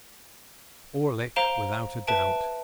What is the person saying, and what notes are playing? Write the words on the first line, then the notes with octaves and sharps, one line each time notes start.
Orlick, without a doubt!
C5 F5 A#5 D7 E7 G7
B4 E5 A5 D7